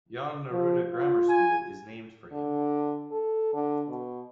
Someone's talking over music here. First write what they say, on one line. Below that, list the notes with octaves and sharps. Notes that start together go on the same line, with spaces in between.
Jan Neruda Grammar School is named for him.
F3
F4
G#5
D3
A4
D3
B2